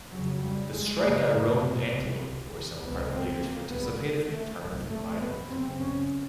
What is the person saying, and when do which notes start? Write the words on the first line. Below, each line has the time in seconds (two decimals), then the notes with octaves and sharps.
The strike at Roan Antelope, where some tribal leaders participated, turned violent.
0.10 F2 C#3 F#3
0.41 G3
0.71 G#3
1.01 F#2 C#3 A#3
1.90 C2 C3
2.80 C#2 B3
2.85 C3
3.10 C4
3.40 A#3
3.69 C#2 C#3 B3
4.30 A3
4.60 C2 C3
4.89 A3
5.20 B3
5.49 F#2 C#3 C4
5.80 C#4